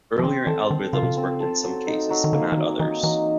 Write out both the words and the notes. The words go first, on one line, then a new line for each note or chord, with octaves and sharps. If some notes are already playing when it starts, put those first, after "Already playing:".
Earlier algorithms worked in some cases but not others.
F3
E3 C4
E3 A4
D#3 C4
C#3 F4
C3
C#3
C4
A4
F#3
D#4
F#3
D#3
D3 A#3
E3
D#3 F#3
E3 D#4
E3 F#3